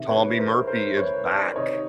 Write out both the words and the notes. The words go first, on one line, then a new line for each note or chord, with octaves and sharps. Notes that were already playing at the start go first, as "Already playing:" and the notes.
Tommy Murphy is back.
Already playing: C3 D#3 E5
B4 C#5
A#4 C5
A#4 C5
B4 C#5
C5 D5
C3 D#3 C#5 D#5